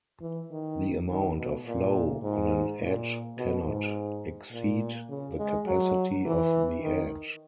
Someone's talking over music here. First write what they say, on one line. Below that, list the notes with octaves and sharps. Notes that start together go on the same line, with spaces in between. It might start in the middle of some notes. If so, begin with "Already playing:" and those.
The amount of flow on an edge cannot exceed the capacity of the edge.
E3
D#3
D#3
B2
A#2
G#2
A#2
B2
G#2
A#2
C#3
G#3
F#3
E3
D#3